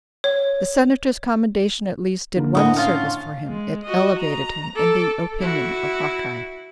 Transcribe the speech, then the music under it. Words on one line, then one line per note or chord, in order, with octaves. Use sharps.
The Senator's commendation at least did one service for him, it elevated him in the opinion of Hawkeye.
C#5
D3 A#3
A2 D4 F#4 B4 D#5
C#4 F4 F5
G#3
F#4 D#5
A#5
A4 D6
E4 F#4